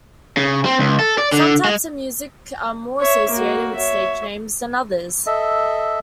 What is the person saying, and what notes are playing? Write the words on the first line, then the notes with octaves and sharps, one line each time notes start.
Some types of music are more associated with stage names than others.
C#3
C4
C#2
A4
D5
D3
G#3
C#5 E5
A#3 F#4
C#5 E5
A4 D#5 E5